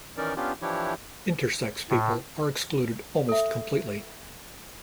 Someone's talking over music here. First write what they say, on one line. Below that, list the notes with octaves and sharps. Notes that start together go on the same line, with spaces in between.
Intersex people are excluded almost completely.
D#3 E3 C#4 D#4 A#4 D5
B3 C#4 D4 F4 G4
E3 F3 D4 E4 G4 C#5
A2
A4 E5